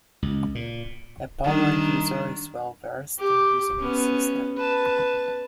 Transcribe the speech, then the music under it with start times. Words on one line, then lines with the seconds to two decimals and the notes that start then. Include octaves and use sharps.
A power user is well versed in using a system.
0.22 C#2
0.55 A#2
1.44 D#3 G3 D4
3.18 G4 D6
3.79 B3 C#4
4.56 B4 A5